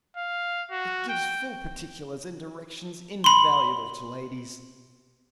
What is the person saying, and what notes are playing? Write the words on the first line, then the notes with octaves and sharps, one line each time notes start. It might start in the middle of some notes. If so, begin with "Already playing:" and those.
It gives full particulars and directions invaluable to ladies.
F5
F#4
G5
B5 C6